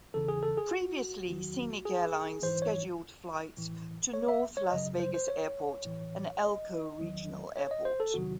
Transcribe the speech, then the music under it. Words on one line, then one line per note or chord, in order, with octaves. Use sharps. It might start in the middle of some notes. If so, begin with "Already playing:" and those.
Previously Scenic Airlines scheduled flights to North Las Vegas Airport and Elko Regional Airport.
E2 C#3 E3 A4
G#4
A4
G#4
F#4
E2 D#3 F#3
G#4
G#2 E3 C5
C#5
A2 E3
C#5
E5
C#5
F#2 C#3 F#3 D#5
C5
C5
C#5
A2 E3
D#5
E2 D#3 F#3
C#5
D#5
C5
A4
E2 C3 D#3 F#3 F#4